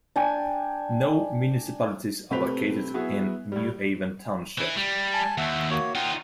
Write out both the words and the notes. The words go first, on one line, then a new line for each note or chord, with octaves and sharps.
No municipalities are located in New Avon Township.
D4 G5 G#5
C3 A3 C4 B4 B6 F7
F#3 B3 E4 F#4 G#4
A2 G3
E3 E4
G3
G#5 A5
D#2 E5 F#5
A#3 F#4 C#5
D#4 F4 F#5 G5